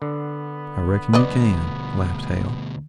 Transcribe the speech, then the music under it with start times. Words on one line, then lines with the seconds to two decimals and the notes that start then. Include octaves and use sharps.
"I reckon you can," laughed Hale.
0.02 D3 B3
1.13 D2 B2 B4 D5 D#5